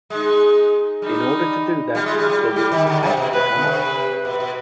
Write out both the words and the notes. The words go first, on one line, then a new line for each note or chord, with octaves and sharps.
In order to do that, the wheels had to come off.
G#3 D#4
G3 D#4
G3 F4
G#3
G3
G3
G4
G3
D#3
D3
C3
B2
C3 B4
D3
C3
B4
B2 B4
B2